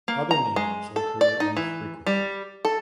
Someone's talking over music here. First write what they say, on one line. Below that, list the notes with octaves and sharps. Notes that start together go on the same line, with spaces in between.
Other names occur infrequently.
A#3
A#5
G#3
A4
D5
D#4
E3
G3
A4